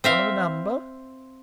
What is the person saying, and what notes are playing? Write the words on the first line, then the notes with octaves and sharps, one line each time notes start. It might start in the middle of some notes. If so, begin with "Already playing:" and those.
One of a number?
C4 E5 F5